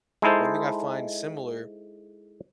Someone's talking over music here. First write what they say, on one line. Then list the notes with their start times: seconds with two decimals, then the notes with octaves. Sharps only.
one thing I find similar,
0.22 G#3 D#4 E4 A4 C5